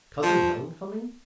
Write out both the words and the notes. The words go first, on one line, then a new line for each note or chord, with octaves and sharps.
Cousin Helen coming!
F3